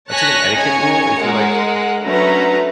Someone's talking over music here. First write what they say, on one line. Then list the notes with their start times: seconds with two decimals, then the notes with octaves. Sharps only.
that's, like, an etiquette rule, if you're, like
0.10 C#5 G#5 A5 F#6 A#6 B6
0.55 C#3 C#5 D#5 G#5 C#7
1.19 G#3 A#4 F#5
2.04 D3 F#3 A3 C#4 B4 A#5